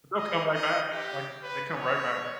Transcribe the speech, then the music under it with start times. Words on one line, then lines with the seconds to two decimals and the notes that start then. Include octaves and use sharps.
They'll come right back, like, they come right back.
0.17 D#5
0.54 D#5
0.92 G4
1.43 B4
1.74 C#5